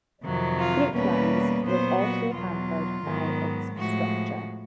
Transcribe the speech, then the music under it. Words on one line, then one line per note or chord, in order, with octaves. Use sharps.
Fruitlands was also hampered by its structure.
F2 C3 D#3 F#3
F4
E2 B2 G3 A#3 C#4 B4
A#2 F#3 B3 C5
F#4
E2 B2 F#3 F4
G#2 D#3 F#3 B3
A2 F3 G#3 F#4